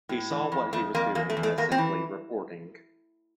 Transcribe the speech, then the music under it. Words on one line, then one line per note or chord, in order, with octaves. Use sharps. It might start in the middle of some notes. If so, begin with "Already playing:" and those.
He saw what he was doing as simply reporting.
A2
E3
F2
F2 A3
F2 A#3
E2 A#3
A3
E2
A3
E2 A#3
C4
E3